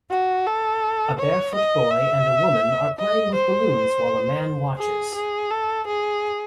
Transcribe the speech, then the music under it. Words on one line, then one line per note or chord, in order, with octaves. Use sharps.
A barefoot boy and a woman are playing with balloons while a man watches.
F#4
A4
C#5
D#5
E5
D#5
C5
G#4
G#4
A4
G#4